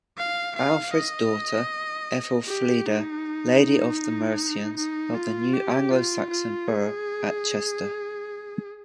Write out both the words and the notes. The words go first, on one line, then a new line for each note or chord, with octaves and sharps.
Alfred's daughter Ethelfleda, "Lady of the Mercians", built the new Anglo-Saxon 'burh' at Chester.
F5
F5
D#5
G4
D#4
D#4
F4
G4
F4
F4
G#4